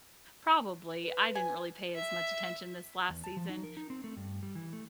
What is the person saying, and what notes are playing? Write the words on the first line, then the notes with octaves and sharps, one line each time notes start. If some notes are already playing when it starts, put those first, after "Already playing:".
Probably I didn't really pay as much attention this last season
B4
G#5
E5
E2
A5
F3
D#4
A#4
D#4
C4
A3
G2
G3
E3
A3